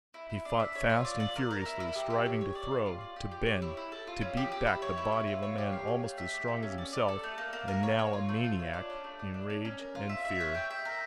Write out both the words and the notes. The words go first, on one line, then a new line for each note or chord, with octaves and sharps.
He fought fast and furiously, striving to throw, to bend, to beat back the body of a man almost as strong as himself, and now a maniac in rage and fear.
E4
E4
D4
E5
C#5
F4
D5
D5
A#4
A#4
E4
E4
G4
G4
C#5
C#5
D5
F5
F4
D5
G4
G4
C#5
E4
E4
A4
F4
C#4
G4
G4
E4
C#5
E4
C#5
F4
C#5
G4
F5
C#5
A3
E5
G4
A#3
C#4
D5
D5
A4
A3
A#3
A#3
A#4
C#5
C#5
F4
A3
F4
C#5
D4
C#4
A3
D4
D4
C#4
C#4
A#4
F4
E5
E5
C#5
G5
E5
A#4